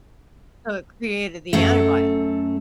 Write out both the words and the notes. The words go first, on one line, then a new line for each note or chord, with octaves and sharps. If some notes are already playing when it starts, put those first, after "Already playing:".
So, it created the antibio
F#2 A3